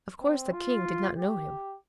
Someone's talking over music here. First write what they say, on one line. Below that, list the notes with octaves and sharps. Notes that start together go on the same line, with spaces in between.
Of course the king did not know him.
C4
F4
G4